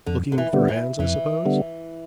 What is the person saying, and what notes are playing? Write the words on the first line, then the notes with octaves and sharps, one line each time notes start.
'Looking for hands, I suppose?'
F2 D3
D3
E3
D3 G3 B3
E3
F2 E3
D3 G3 B3